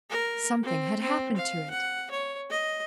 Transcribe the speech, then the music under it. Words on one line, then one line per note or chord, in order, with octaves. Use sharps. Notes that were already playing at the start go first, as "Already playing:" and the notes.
Something had happened to it.
A#4
C4
C4
F5
F#5
C#5
D#5